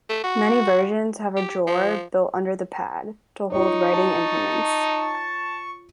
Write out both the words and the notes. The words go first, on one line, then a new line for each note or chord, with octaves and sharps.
Many versions have a drawer built under the pad, to hold writing implements.
A3
F#4
G4
F3
D#4 F4 C#5 C#6
A5